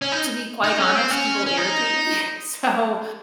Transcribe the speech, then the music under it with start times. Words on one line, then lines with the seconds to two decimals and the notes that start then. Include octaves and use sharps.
to be quite honest, people irritate me, so,
0.02 C#4
0.12 D#4
0.64 D#4
0.79 C#4
0.95 C4
1.11 C#4
1.46 C#4
1.57 D#4